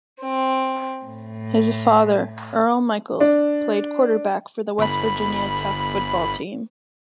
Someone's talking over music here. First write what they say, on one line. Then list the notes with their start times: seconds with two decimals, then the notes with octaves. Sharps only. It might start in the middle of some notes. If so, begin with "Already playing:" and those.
His father, Earl Michaels, played quarterback for the West Virginia Tech football team.
0.21 C4
1.04 A2
3.20 D4
4.78 G1 B5